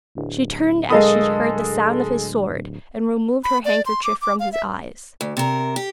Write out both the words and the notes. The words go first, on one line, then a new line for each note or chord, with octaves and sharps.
She turned as she heard the sound of his sword, and removed her handkerchief from his eyes.
D1
G#3 A4 A#4 D#5 F5 D#6
B5
D5
C6
D6
D6
F5
E5
D2
C3 A#4
G4